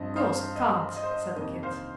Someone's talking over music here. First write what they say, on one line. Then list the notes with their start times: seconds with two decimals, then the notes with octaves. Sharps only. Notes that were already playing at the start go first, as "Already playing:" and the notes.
"Girls can't," said Kit.
Already playing: G2 F3 C4 D#5
0.16 C5 F5
0.56 D#5
0.96 D#5
1.03 C5
1.11 D#5
1.36 F2 C3 D#3 A#3 D#5
1.63 C5 F5